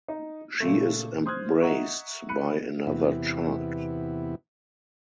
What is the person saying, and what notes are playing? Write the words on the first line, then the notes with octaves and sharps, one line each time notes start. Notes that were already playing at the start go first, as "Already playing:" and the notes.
She is embraced by another child.
D#4
A#2 C#3 A3
C5 C6 D#6 F6 F#6 G#6
D#5 E5 F#5 A#5 C#6
B5 F#6 C#7 D#7
E2 C3 B3 E4